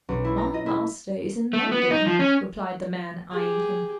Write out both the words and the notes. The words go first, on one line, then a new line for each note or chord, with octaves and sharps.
"My master is in London," replied the man, eyeing him.
B1
E4
A#5
D#5
E4
A3
B3
D#4
F3
C#4
G4 G#4